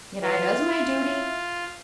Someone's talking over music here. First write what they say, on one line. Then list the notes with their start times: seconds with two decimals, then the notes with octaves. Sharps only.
Yet I does my duty!
0.22 E3 F4
0.60 E4